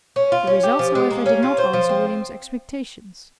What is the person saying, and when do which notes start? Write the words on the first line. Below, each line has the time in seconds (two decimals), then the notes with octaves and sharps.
The results, however, did not answer William's expectations.
0.16 C#4
0.32 F4
0.47 C#4
0.63 G4
0.79 F3
0.95 G#3
1.11 A#3
1.26 C#4
1.43 F4
1.58 C5
1.74 F3
1.89 C4